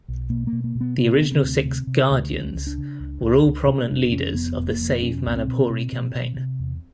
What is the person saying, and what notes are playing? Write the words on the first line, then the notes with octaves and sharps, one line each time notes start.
The original six "Guardians" were all prominent leaders of the Save Manapouri Campaign.
B1
B2 A#3
A#3
B2
A#3
B2
B3
C3 B3
C3
C4
D2
C3
C3
D2
C#2 C#4
C#2
D4
C#3
C#2
C#2
C#2
C3 C#4
F1 D4
F2 C#4
F1 B3
F1
A#3
F2
B2 C#4
C2 B3
C4
B2
B2
B2
B2
C3
E2